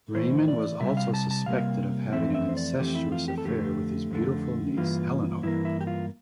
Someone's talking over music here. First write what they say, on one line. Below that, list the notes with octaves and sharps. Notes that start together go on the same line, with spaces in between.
Raymond was also suspected of having an incestuous affair with his beautiful niece Eleanor.
A2 E3 A3 C5
D5
C3 G3 E5
F5
A5
A5
C3 G3 A#3 F5
F2 E3 A3 C4 E5
E5
C5
D5
F2 E3 A3 C4 G4
E4
F4
G4
A4
F2 D3 A3 G4
F2 D3 A3
G2 E3 A#3 F4
G2 E3 A#3 E4
E4
G4
F4